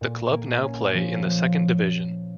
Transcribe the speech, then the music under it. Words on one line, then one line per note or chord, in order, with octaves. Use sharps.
The club now play in the second division.
A#2
A#3
C#4
F3
F3